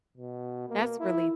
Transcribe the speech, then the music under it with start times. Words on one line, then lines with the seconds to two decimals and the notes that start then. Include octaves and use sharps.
That's really
0.18 B2
0.69 A#3
1.00 E4